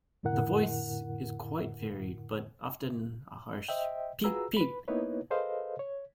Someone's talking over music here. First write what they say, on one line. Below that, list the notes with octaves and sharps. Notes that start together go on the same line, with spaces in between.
The voice is quite varied but often a harsh "peep-peep".
F2 A2 D3 E4 A#4 F#5
C5 D#5 E5 G5
F4 F#4 G#4 B4 A#5 E6
B4 B5
A#3 B3 D#4 E4 B4 C#5
G#4 A4 B4 C5 D#5 F5
C#5